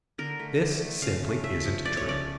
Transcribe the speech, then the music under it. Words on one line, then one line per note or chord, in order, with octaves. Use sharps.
This simply isn't true.
D3 A#4
A3
D3
A3
C#3 F5
A3
A3 E5
F3
A3 D5
C#5
C#3 D5